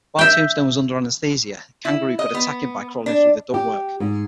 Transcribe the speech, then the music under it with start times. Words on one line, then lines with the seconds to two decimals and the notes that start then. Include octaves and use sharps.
While Tombstone was under anesthesia, Kangaroo could attack him by crawling through the ductwork.
0.19 E5 G5
1.85 E4
2.19 D#5
2.34 B3
3.06 D4
3.54 G4
4.00 G#2